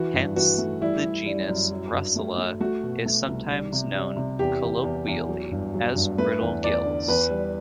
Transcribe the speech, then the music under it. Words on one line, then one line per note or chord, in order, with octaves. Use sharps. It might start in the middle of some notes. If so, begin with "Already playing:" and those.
Hence the genus "Russula" is sometimes known colloquially as "brittle gills".
Already playing: E3 F#4
G2
E3 F#4
A3
G3 E4
G3
G3
F#2
F#3
G2
A3
A3
A3 F#4
B2
A3
C2
G3
C3
G3
C3
E2 G4
E2
E2
E2
F#3
G2
F#3
G2
A3 B4
E2
E2 D5
D3
E2 B4
G3